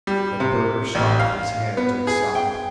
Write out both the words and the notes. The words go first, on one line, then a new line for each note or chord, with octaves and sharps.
Then Burger stopped with his hand to his side.
G3
C3
A1
F5
B3
G#4
G5